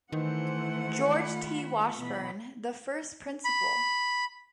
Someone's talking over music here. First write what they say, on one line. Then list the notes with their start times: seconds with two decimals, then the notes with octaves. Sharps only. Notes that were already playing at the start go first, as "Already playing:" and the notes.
George T. Washburn, the first principal.
0.12 D#3 E3 A3 C5 F#5
1.19 F4 B5
1.99 B2 E3 B3 B5
3.45 B5